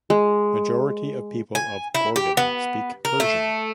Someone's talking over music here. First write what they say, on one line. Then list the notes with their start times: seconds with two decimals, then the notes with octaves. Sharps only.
Majority of people of Gorgan speak Persian.
0.10 G#3
1.55 G#5
1.95 E4
2.16 G4
2.37 B3
3.05 A#4
3.20 A3